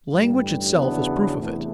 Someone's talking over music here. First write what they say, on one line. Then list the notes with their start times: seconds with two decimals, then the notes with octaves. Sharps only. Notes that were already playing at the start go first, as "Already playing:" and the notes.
Language itself is proof of it.
0.12 A1 G2 D3 G3
0.75 E2 C#3 F#3 B3 D4
1.37 E2 C3 E3 A3